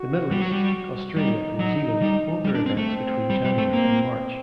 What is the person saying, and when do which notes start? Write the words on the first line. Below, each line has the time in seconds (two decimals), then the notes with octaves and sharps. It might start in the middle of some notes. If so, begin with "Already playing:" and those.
The Middle East, Australia and New Zealand hold their events between January and March.
Already playing: F#4
0.31 G3
0.42 F#3
0.51 G3
1.17 G3 D#4
1.59 F#3 D#4
2.02 G3
2.45 G3
2.55 D4
2.66 C4
2.77 A3
2.88 C4
3.30 G3
3.45 G3
3.58 A3
3.73 A#3